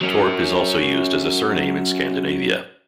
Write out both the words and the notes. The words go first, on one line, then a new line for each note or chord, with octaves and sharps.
"Torp" is also used as a surname in Scandinavia.
F#3 C#4